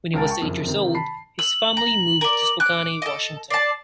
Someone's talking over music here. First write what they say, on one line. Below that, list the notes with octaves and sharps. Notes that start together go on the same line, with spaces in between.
When he was eight years old, his family moved to Spokane, Washington.
C#2 G#3 A#4 A5 A6
G5 A5 C#6
F#1 F2
C3 D#3
A5 B5 C7
E6 F#7
A#5
A#4 D5
D6 F#6
A4 D#5
D5 A5 C7